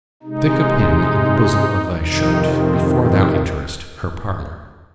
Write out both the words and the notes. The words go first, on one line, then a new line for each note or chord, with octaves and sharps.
Stick a pin in the bosom of thy shirt, before thou enterest her parlour.
C3 G#3 D#4
F2 C3 D#3 D#4
C4
C4